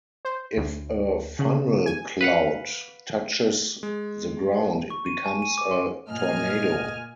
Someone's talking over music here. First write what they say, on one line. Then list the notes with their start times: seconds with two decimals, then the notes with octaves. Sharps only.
If a funnel cloud touches the ground it becomes a tornado.
0.25 C5
0.57 D2
1.39 C#3
1.86 G#5
2.21 B4 F5 F#5
3.83 G#3
4.90 C#6
5.06 D#7
5.26 G#5
5.42 D#7
5.58 D6
5.71 C6
6.09 A#2 D#5 G#5 F6